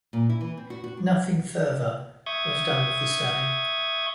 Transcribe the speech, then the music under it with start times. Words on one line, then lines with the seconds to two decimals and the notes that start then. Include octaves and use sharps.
Nothing further was done with the study.
0.13 A#2
0.29 E4
0.41 E3
0.57 C4
0.70 F#4
0.84 F#4
0.97 D4
2.26 E5 C#6 D#6 G6 G#6